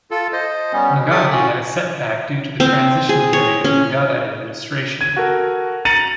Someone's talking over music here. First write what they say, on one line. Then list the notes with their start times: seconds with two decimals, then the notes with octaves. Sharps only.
Magahi had a setback due to the transition period of Magadha administration.
0.11 F4 A4
0.33 C5 D#5
0.73 G3 B3 C#4
0.95 B2
1.11 E4 G4 A4 D5 D6 D#6
1.32 C#4 F4 F#4
2.60 C4
3.09 G#4
3.33 C#5
3.64 C#4
5.01 G#6 D#7
5.16 F#4 A4 A#4
5.85 A#5 A6 C#7 D#7 F7 F#7